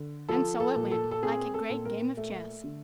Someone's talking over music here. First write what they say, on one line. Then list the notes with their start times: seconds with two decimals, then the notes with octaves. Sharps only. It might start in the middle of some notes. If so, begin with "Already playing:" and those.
And so it went-like a great game of chess.
Already playing: D3
0.29 F3 A4
0.60 A4
0.76 A#2
0.91 A4
1.11 A4
1.23 C4 G#4
1.54 A4
1.70 A#2
1.85 A#4
2.17 A3
2.64 D3